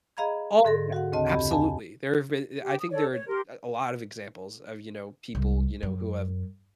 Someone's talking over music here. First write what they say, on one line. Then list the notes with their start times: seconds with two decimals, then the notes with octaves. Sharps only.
Oh, yeah, absolutely. There have been, I I think there a a lot of examples of, you know, people, you know, who have,
0.17 G#4 D#5 F5 A#5 B5 G#6
0.64 G#2 D3 G#4 A4 C6 A#6
0.93 F#4 F5 F#5
1.12 D2 C#3 C4 D#5 A5
1.29 F2 C4 G4 D#5 B5
1.50 F5 G#5 A5
2.63 G4
2.79 D#6
2.91 A4 C#5 D5
3.13 C#5
3.28 G4 A#4 C6
5.35 C2
5.83 F#2